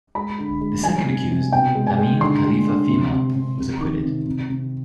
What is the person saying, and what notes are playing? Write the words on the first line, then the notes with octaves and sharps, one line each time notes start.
The second accused, Lamin Khalifah Fhimah, was acquitted.
G#3 B5
D3
G#3
G3 G#5
C3
C3
B2 G5
G#3
G#5
G#3
D3 C6
G#3
D3
C3
C3
C3
C3
D#3
C3
C3
C3